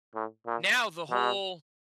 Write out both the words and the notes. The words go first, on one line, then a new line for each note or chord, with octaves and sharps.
now the whole
A2
A#2
B2